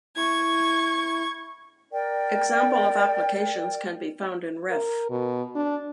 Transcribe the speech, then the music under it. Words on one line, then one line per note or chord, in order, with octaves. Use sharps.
Example of applications can be found in Ref.
E4 C#6 G#6
A#4 D5 G5
A#4
B2
D4